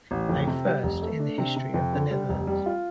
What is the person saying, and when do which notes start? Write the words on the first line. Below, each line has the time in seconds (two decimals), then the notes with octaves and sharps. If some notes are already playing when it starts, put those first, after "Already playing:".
A first in the history of the Netherlands.
0.11 A1
0.29 F2
0.47 C3
0.66 G3
0.83 F1
1.02 A3
1.19 D4
1.38 C3
1.56 C3
1.74 F2
1.93 D3
2.11 G3
2.29 F1
2.47 G3
2.66 F4